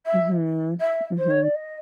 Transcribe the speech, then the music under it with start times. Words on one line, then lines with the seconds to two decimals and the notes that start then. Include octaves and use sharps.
Mhm. Mhm.
0.06 E5
0.81 E5
1.17 C5
1.30 C#5
1.42 D5
1.54 D#5